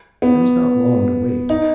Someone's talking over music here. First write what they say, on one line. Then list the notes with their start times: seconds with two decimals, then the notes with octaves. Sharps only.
It was not long to wait.
0.22 B3
1.50 D#4